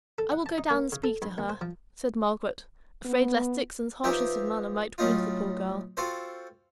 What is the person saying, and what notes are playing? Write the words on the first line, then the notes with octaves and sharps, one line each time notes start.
'I will go down and speak to her,' said Margaret, afraid lest Dixon's harshness of manner might wound the poor girl.
A4
F#5
A5
D#4
A#3
C#3
A4
G2
D#2
C5
F3
B3
F3 D#4 G4 B4 E5
A2 F#3 C#4 D#4 F4
C4 F4 F#4 A4 C5